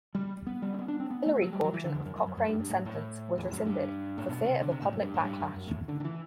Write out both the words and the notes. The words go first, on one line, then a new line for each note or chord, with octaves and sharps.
The pillory portion of Cochrane's sentence was rescinded, for fear of a public backlash.
G3
B3
G3
C4
B3
D4
C4
B3
A3
F#3
G3
F#3
E3
D3
E2
F#2
F#2
F#2
F#2
G2
G2
A2
A2
E2
F#2
G2
A2
B2
C3
D3
C3
A2
F#2
G2
A2
G2
F#2
F#2
A2
D3
D3
E3